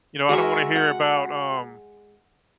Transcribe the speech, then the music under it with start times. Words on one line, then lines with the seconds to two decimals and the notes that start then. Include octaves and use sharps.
you know, I don't wanna hear about, um"
0.29 G#3 F#4 A#4 E5
0.76 F#5